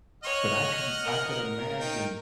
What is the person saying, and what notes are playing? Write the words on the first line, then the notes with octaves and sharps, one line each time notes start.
but I can I could imagine
C#5 D#5 F#5 F6
A#4
D#3 D#4 G5